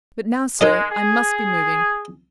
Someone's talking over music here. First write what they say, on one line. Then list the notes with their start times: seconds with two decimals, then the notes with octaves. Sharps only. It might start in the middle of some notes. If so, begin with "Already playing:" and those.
But now, sir, I must be moving.
0.61 G#3 D#4 A#4 D#5
0.90 G#4